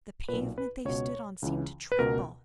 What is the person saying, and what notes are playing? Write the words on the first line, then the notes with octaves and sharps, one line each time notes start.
The pavement they stood on seemed to tremble.
B1 A#2 B4
B4
C#2 B2 C#5
C#2 C#3 E3
B4
C#2 B2 A#4